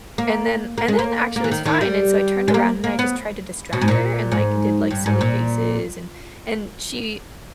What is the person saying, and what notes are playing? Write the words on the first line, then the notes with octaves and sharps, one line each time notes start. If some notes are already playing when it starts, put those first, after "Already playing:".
and then and then, actually, it was fine, and so I turned around and I just tried to distract her and, like, did, like, silly faces, and and she
A#3
A#3
G#3
A#3
A#3
E3
D#3
D#3
G3
G#3
A#3
A#3
B3
B2
G#2
A#2
G#2
G2
G#2
A#2